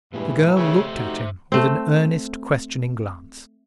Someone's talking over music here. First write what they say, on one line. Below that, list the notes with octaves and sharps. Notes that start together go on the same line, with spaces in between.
The girl looked at him with an earnest questioning glance.
G2 A#2 E3 G#3
C#3 A3 G4 C5 E5
D#4 F#4
A3 C4